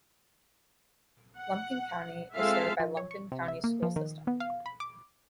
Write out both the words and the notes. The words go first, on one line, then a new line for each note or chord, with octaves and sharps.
Lumpkin County is served by Lumpkin County School System.
F#5
G#3 C4 F4 A4 E5 F5
F3
C#5
C#6
C3
E5
A#3
F3
D#3
B3
F5
B5
D6